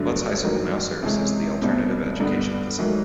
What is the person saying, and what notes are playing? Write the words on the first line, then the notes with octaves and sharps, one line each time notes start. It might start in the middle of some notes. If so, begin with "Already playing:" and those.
Butz High School now serves as the alternative education facility.
Already playing: G2 D3 F#3 A3 D4
G2 D#3 F#3
C3 E3 G#3 C#4
C2 B2 G3 C4
G2 D3 G3 B3
G#2 D#3 F#3 A3